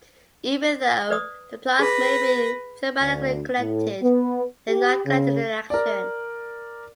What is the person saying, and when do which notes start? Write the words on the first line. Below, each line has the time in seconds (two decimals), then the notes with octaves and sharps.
Even though the plots may be thematically connected, they are not connected in action.
1.10 B4 D5 D#6
1.79 G#4 B4 A#6
3.01 D2
3.59 A2
4.02 B3
4.68 G4
5.05 C#3
5.70 A#4 D5